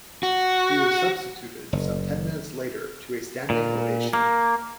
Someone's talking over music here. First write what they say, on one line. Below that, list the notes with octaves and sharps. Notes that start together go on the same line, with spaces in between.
He was substituted some ten minutes later to a standing ovation.
F#4
F#1
A#2
A#3